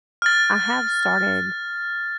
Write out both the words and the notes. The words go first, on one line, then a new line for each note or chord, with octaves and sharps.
I have started
F6 A6